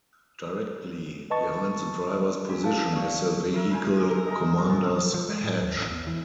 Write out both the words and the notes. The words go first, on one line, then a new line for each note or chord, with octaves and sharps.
Directly behind the driver's position is the vehicle commander's hatch.
B4 D#5 A5 C#6 A6
C#4 D4 F#4 G#4
E4 F5 A5
D5 C#6
E4 A#4 E5
A#4 C5 G#5
A#4
D#4 G#4 A#5
A#2 B3
F3
G#3
A2
D#2
A1
E2
E3